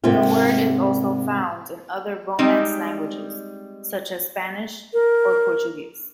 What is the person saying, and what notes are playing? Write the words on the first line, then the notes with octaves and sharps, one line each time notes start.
The word is also found in other Romance languages such as Spanish or Portuguese.
G#2 C3 A3 A#3 C4 F4
G3 G#3 C4 D#4
A#4